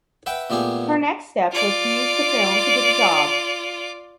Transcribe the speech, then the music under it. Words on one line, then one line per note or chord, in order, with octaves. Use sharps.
Her next step was to use the film to get a job.
B4 E5 F#5 G5
A#2 A3 B3 G4 G#4
F4 D5